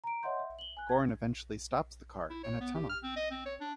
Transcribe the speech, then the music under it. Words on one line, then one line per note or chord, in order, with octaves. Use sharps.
Goran eventually stops the car in a tunnel.
A#5 D7
C#5 D#5 E5 F#5 C6 G6
E5
F#7 G7
G#5 F#6
G#6
E4
C#5
B3
G4
F6
C4
D#5
C4
C#5
D4